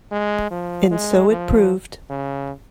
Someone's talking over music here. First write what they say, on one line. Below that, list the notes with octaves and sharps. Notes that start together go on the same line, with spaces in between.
And so it proved.
G#3
F3
G#3
F3
C#3